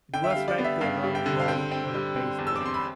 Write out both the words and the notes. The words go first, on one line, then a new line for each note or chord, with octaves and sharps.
It was like the long roll on a bass drum.
D3 G5
E5
F5
G3
D5
B3
E5
G2 F5
G3
G5
D3
F5
C4 G5
C4
G3
C4
E2
E6
D6
C4 C6
B5